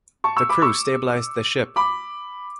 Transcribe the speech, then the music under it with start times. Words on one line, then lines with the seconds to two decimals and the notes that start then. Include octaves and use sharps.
The crew stabilized the ship.
0.24 A5 C#6
0.36 C#6 E6
0.49 B5 D6
0.62 C#6 E6
1.76 B5 D6